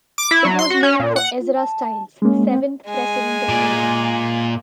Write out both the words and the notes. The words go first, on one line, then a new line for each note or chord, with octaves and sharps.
It was named for Ezra Stiles, seventh president of Yale.
D6
E4
F#3
C6
F#4
C#4
A#2
F#5
F4
A5
G#3 A#3 C#4
C4
G#3 G#5
A#2